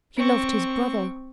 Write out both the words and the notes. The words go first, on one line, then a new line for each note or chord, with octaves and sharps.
She loved his brother.
C4 C#6